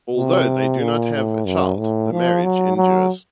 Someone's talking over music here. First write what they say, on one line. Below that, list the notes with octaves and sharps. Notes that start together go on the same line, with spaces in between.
Although they do not have a child, the marriage endures.
C3
A#2
A2
F#2
A2
F3
F#3
F#3